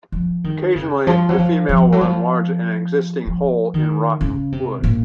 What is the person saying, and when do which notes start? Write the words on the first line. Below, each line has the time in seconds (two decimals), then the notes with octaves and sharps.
Occasionally the female will enlarge an existing hole in rotten wood.
0.12 F3
0.44 D#3
0.76 C#3
1.07 F3
1.29 F#3
1.38 F3
1.69 F3
1.92 F#3
2.01 F3
3.27 F3
3.74 D#3
4.21 C#3
4.52 C3
4.84 A#2